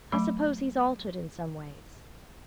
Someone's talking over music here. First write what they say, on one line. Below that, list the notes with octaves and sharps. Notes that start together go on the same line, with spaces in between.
'I suppose he's altered in some ways?'
F#3 A3 B5